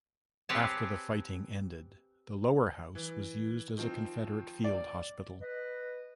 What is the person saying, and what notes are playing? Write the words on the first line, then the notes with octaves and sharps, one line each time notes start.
After the fighting ended, the lower house was used as a Confederate field hospital.
C4 G4 G#4 B4 C#5 A5
E3
D#3 F3 C4
D5
B4 D#5